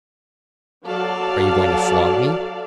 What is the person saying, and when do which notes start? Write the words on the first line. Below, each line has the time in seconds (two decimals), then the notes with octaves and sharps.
Are you going to flog me?
0.88 F#3 F#4 A4 D5 F5 A5